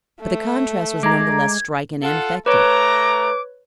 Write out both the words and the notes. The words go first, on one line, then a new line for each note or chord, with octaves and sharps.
But the contrast was none the less striking and effective.
A3
G#3 A#5 D6 G#6
F4 A4 F#5
A3 B4 C#5 A#5 D6